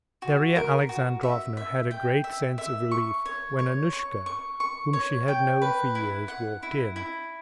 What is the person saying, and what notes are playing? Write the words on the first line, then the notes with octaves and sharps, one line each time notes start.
Darya Alexandrovna had a great sense of relief when Annushka, whom she had known for years, walked in.
F#4
A#4
F#4
E5
E5
G5
E5
E5
C#6
C#5
C#5
C#6
C#6
C#6
C#5
G5
B4
E4
F#5
E4
E4